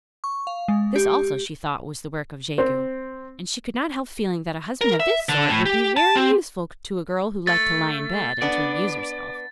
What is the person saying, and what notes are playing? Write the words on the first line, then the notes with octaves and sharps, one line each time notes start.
This, also, she thought was the work of Jegu, and she could not help feeling that a husband of this sort would be very useful to a girl who liked to lie in bed and to amuse herself.
C#6
F5
G#3
G4
C4
A#4
E5
D3
A2
G4
A5
C4
A3 A6
B3 D4 D5